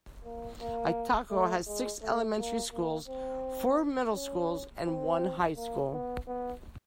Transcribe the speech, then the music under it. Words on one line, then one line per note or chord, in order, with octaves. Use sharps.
Itako has six elementary schools, four middle schools, and one high school.
A#3
A#3
A3
G#3
A3
A#3
A#3
C4
C#4
C4
A#3
B3
B3